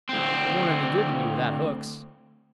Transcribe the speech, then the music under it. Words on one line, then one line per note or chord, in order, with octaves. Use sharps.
It warn't any good to me without hooks.
D2 C4